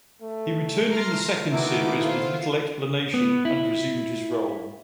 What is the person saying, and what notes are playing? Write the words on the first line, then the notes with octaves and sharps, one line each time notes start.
He returned in the second series with little explanation and resumed his role.
A3
A#5 C6 F6
D#3 B3 E4 F#4 D6
F4 C5
B3
E4